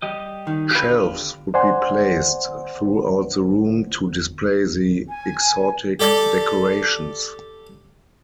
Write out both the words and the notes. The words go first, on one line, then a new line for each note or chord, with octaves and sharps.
Shelves would be placed throughout the room to display the exotic decorations.
G3 G4 D#5
D#3
D3 F4 G4 B4
C5 D5 F#5 G#5 C6
G#5
G4 A4 D5 D6